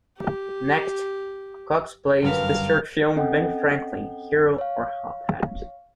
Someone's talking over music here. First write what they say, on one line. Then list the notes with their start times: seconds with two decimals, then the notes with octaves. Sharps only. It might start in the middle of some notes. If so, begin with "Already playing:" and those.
Next, Cox plays the short film Ben Franklin: Hero or Hophead?
0.18 G4
2.22 G1 F#2 A#4 F5 B6
3.16 C4 C#4 A4 D#5 F#5 G5
4.58 C#5 F5